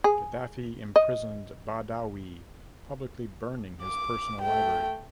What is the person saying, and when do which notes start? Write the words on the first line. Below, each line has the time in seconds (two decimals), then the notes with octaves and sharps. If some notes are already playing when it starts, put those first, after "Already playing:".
Gaddafi imprisoned Badawi, publicly burning his personal library.
0.04 G#4
0.96 D#5
3.82 D6
4.41 A3 G5